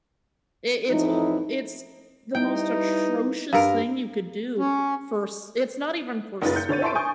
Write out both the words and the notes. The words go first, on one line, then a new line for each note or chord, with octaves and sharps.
It it's h it's the most atrocious thing you could do for s it's not even for sport.
F2 A2 E3 D#4
G3 D#4 E4 B4 G5
G2 A#4 F5
C#4
F#1 D#4 F4 B4 A6
G6 C#7
D3 C#5 A6 D#7
E5 A5 C6 C#6 A6 D7
G#5 C#6 D#6 G6